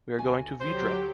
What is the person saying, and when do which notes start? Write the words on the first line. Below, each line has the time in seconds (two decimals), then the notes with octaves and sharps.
We are going to Vidrà.
0.18 D2 F#4 G#5
0.60 D2 F#3 G4 C5 G5